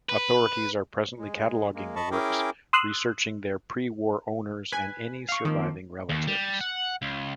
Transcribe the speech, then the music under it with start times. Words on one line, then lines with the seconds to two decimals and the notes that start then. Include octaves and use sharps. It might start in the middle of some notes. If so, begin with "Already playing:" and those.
Authorities are presently cataloging the works, researching their pre-war owners, and any surviving relatives.
0.09 B4
1.19 G#3
1.75 G#3 A#3
1.96 D#5 A5 B5 C#6
2.11 C#4 E4 G#4 A#4 G5 D6
2.73 C6 D#6 E6 F#6
4.72 B4 G#5
5.29 F5 C#6
5.45 D#3 F3 A#3 C4
6.09 D#2
6.27 G3
6.61 F#5
7.02 C#2